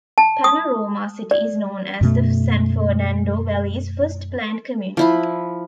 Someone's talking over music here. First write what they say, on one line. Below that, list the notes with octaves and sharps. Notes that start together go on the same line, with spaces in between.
Panorama City is known as the San Fernando Valley's first planned community.
A5
D#6
D5
F#2 B2 A3
F3 E4 B5